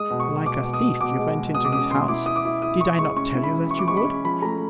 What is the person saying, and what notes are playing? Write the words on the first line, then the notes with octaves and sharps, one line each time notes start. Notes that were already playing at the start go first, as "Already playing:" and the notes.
'Like a thief you went into his house,--did I not tell you that you would?
Already playing: G#3 D#6
B2
C#6
B2
B2 D6
B2
D#6
B2
B2 D6
G#3
G#3
B2 D#6
D6
C#4 D#6
B2 C6
E4 D6
E4 D#6
D6
E4
E4 D#6
E4 C#6
G#3 C#6
C#4 C#6
E4
B5
E3
E4 C#6
D6
G#3 C#6
B5
C#4
F3 B5
A3 A#5